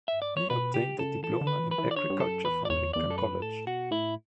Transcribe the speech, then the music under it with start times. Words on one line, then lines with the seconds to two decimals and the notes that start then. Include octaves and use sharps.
He obtained a diploma in agriculture from Lincoln College.
0.08 E5
0.22 D5
0.37 C#5
0.50 B2 B4
0.74 C#3 G4
0.98 C#3 A4
1.23 E3 A4
1.41 D3
1.47 B4
1.60 E3
1.71 B4
1.78 E3
1.91 D5
1.96 D3 C#5
2.10 G2
2.20 F#2 A4
2.45 E2 B4
2.65 D5
2.70 E2 C#5
2.93 E2 D5
3.06 F#2 A4
3.18 B4
3.42 A2 A4
3.67 B2 F#4
3.91 A2 E4